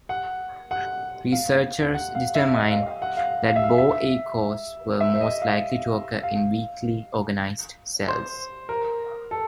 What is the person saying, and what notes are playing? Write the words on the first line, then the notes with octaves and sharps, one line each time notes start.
Researchers determined that bow echoes were most likely to occur in weakly organized cells.
F#5
F#5
F5
F#5
F5
E5
D#5
F5
F5
F#5
F5
F5
E5
F5
E5
E5
D#5
F5
F5
C5
A#4
A4